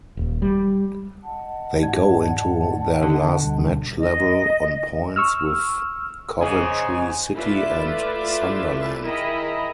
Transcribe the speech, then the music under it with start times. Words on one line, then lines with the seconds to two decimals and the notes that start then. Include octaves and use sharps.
They go into their last match level on points with Coventry City and Sunderland.
0.17 D#1
0.42 G3
1.24 D#5 F#5 A5
1.83 G#2 D5 G#6
3.02 D3
3.42 D2 B2 G3
4.00 D#5
5.16 C#6 E6 F6
6.41 G#2 C#3 D#5 G#5
7.34 A3 E4 F4 B4 D5 E5
9.02 D#3 E4 G#4 D#5 A#5 B5